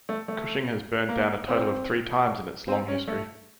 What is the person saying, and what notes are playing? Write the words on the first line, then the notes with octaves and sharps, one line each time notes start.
Cushing has burned down a total of three times in its long history.
A3
A3
A#3
C4
C4
C#4
A3